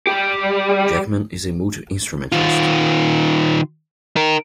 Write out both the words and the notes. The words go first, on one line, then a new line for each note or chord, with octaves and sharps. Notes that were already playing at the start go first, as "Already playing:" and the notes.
Jackman is a multi-instrumentalist.
G3 G4
D#3 F4
D#4 A#4